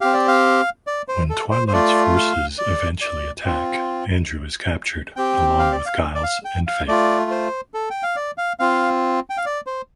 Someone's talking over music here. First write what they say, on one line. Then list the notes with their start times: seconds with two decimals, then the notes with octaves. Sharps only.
When Twilight's forces eventually attack, Andrew is captured along with Giles and Faith.
0.01 C4 G4 F5
0.14 D5
0.28 F5
0.87 D5
1.08 C5
1.30 A4
1.51 C5
1.68 C5
1.73 A3 F4 D5
2.16 F5
2.58 D5
3.01 D5
3.45 C4 F4
5.16 C4 G4 G5
5.59 F5
5.72 D5
5.86 F5
6.15 D5
6.23 F5
6.45 G5
6.67 F5
6.88 A3 F4 D5
7.31 C5
7.74 A4
7.90 G5
8.03 F5
8.16 D5
8.38 F5
8.60 C4 F4 F5
9.30 G5
9.37 F5
9.46 D5
9.67 C5